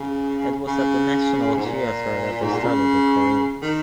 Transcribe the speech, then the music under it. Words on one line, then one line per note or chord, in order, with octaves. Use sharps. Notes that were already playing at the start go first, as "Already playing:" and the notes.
It was at the National Theater that they started their career.
Already playing: C#3
C#3
G#2
A#2
G#2
A#2
C#3
D#3